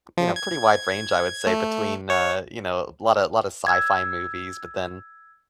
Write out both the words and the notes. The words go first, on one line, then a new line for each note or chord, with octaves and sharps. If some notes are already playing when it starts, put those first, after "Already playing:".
you know, pretty wide range, I would say, between, uh, you know, a lotta lotta of sci fi movies, but then
F3
G#6
A3
C#5
E6 G#6